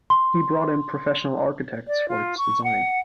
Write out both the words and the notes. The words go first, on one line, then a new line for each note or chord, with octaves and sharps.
He brought in professional architects for its design.
C6
D5
F4
C#6
F#5